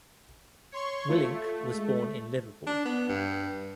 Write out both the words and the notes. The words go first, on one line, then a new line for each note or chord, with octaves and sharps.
Willink was born in Liverpool.
C#5 C6 C#6
A3 F4
G#3
D4
B3
G2